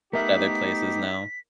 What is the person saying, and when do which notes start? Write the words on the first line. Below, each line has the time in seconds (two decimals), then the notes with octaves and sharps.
Other places now.
0.13 A3 B3 D#4 G4 A#4 E5 F#5 B6